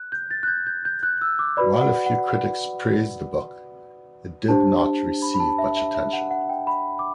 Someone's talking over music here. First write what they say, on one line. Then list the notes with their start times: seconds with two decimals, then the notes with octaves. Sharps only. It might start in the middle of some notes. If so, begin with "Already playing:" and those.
While a few critics praised the book, it did not receive much attention.
Already playing: F#6
0.12 G6
0.31 A6
0.43 F#6
0.48 G6
0.66 G6
0.85 G6
1.03 F#6
1.21 E6
1.39 D6
1.57 F#4 B4 D5 B5
1.81 F#5
2.06 F#5
2.30 F#5
4.48 D4 G4 C5 A5
5.22 B5
5.34 B5
5.40 A5
5.58 E5
5.77 E5
5.95 E5
6.13 F#5
6.31 F#5
6.49 G5
6.67 B5
6.99 D6